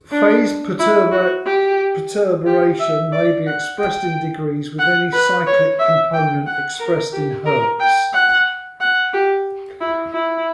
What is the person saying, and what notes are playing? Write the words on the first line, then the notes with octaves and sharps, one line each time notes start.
Phase perturbation may be expressed in degrees, with any cyclic component expressed in hertz.
D4
E4
F#4
G4
G4
E5
D5
F#5
G5
F#5
B4
C#5
E5
G5
F#5
A#4
G4
A#4
G5
F#5
F#5
G4
E4
E4